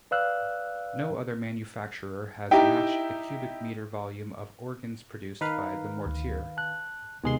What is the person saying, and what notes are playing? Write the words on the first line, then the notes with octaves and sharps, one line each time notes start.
No other manufacturer has matched the cubic meter volume of organs produced by Mortier.
B4 D5 F5 E6 F#6
D#4 E4 G4 E5 G5
D#3 B4 F5 A#5
D2
A5 F#6
D#2 C3 G#3 B3 C6